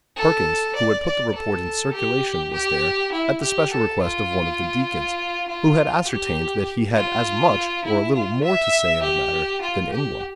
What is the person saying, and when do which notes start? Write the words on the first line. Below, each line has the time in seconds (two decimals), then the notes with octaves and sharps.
Perkins, who had put the report in circulation, was there, at the special request of one of the deacons, who had ascertained that he had as much, or a little more to say, in the matter, than any one.
0.16 A4
0.75 D5
1.05 D5
1.35 A4
1.93 G4
2.53 G4
3.12 E4
3.42 G4
3.71 A4
4.01 F4
5.48 F4
6.07 G4
6.96 F4
7.84 E4
8.14 F4
8.43 E5
9.02 G4
9.61 F4
9.91 G4